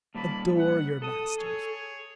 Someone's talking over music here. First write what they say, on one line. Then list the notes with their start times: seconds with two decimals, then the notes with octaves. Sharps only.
Adore your masters.
0.15 A#2 G3 A5 B5
0.57 F#5
1.02 A4 D#6
1.38 G#4 C#5